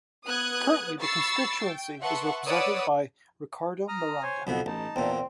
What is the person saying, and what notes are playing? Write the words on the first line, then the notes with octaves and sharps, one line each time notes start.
Currently, the constituency is represented by Ricardo Miranda.
B3 D#6 F#6 G#6
B5 C#6 E6 A6 C7
G5
B4 E5 F#5 A5 C6 C#6
B4 C#5 D5 F#5 D#6 E6
A#5 D#6 F6
C5 C#5 G#5
B1 F2 B2 B3 B5
A1 D#4 A5
E2 A#2 C4